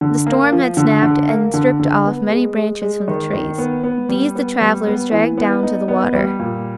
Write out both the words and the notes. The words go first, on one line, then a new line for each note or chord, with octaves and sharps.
The storm had snapped and stripped off many branches from the trees. These the travellers dragged down to the water.
D3
A#3
F3
D3
D3
A#3
D3
D3
B3
G#3
G#3
G#3
D#3
D#3
B3
B3
G3
B3
G3
B3
E3
B3
D#4
B3
G3
A#2